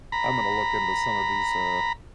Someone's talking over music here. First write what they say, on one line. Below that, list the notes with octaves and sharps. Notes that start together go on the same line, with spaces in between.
I'm gonna look into some of these, uh
A#5 B5